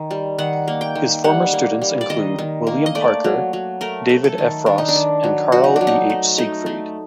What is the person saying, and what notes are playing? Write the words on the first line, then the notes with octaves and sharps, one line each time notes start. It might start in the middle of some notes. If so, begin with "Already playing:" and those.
His former students include William Parker, David Ephross, and Karl E. H. Seigfried.
Already playing: D#3
G3
D#3 F#5
A#3
G5
D#3
G3 F#5
A#3
G3
D5
D#3 D#5
D#3
A#3
D#5
A3 D5
F#3
F#3
A3 A#4
A3
A4
D#3
D#3 D4
D#4
D4
D#3
F#3
F#3 F#4
D#4
D4
F#3
D#4
A3
A3 D#4
A3